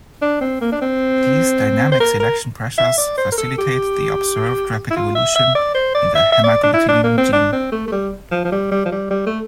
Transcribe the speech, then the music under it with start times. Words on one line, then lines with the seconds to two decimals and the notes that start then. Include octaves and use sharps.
These dynamic selection pressures facilitate the observed rapid evolution in the hemagglutinin gene.
0.22 D4
0.41 C4
0.61 A#3
0.72 D4
0.81 C4
1.92 C5
2.00 A#4
2.20 A#4
2.78 E5
2.98 D5
3.18 C5
3.32 A#4
3.38 A4
3.58 G4
4.91 E4
4.96 F4
5.15 E5
5.36 E5
5.55 D5
5.75 C5
5.94 D5
6.15 E5
6.32 E5
6.44 D5
6.63 D4
6.74 E4
6.88 D4
7.03 A#3
7.18 C4
7.32 D4
7.53 C4
7.72 A3
7.87 A3
7.92 G3
8.31 F3
8.44 F3
8.52 G3
8.71 G3
8.85 F3
8.92 G3
9.10 G3
9.26 A3